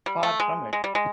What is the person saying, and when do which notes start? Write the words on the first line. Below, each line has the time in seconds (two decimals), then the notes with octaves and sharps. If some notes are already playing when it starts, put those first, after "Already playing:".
Far from it.
0.06 G3
0.23 A3
0.40 G#3
0.73 G#3
0.84 G3
0.95 G#3